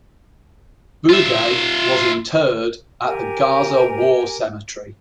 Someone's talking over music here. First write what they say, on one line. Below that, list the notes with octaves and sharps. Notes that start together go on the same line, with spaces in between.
Boughey was interred at the Gaza War Cemetery.
F4 E5
G4 A#4 G#5